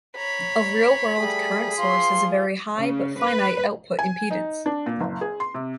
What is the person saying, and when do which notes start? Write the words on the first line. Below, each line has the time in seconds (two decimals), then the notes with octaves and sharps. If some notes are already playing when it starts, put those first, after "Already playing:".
A "real-world" current source has a very high, but finite output impedance.
0.17 C#5 A#5 B5
1.20 G3 A3 G#4
1.78 F3 F4 C6
2.76 C#3
3.21 B4
3.99 G#5
4.31 D#4
4.66 D4
4.86 A#2
5.01 F#1
5.21 G#4
5.40 C6
5.55 C3